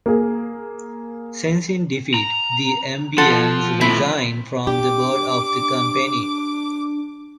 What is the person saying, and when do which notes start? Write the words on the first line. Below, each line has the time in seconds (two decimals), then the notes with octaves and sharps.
Sensing defeat, the Ambanis resigned from the board of the company.
0.06 A#3 G#4
2.14 A#5
3.18 F3 A4 F#5 C6
3.81 A2 C4 E4
4.67 D4 G4 D6